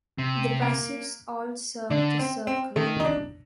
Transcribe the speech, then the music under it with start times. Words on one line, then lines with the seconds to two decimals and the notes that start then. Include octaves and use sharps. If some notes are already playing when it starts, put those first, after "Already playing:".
The buses all serve the circle.
0.18 C3
0.62 A#3
1.90 D3 D4
2.19 C4
2.47 C4
2.76 D#3 A3
3.00 D#4
3.05 D4